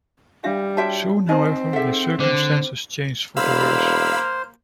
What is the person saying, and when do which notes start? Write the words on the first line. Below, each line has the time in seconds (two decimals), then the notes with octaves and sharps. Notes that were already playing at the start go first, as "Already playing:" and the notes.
Soon, however, his circumstances changed for the worse.
0.44 G3 D4 E5 F5
0.77 E4 F#4 C#5 E5 G5 A5
1.29 C4 D#4 C5 D#5 A#5
1.73 G#4 A4 E5 F#5
2.20 D3 C5 D6
3.36 E1 A#3 C5 F5 B5 E6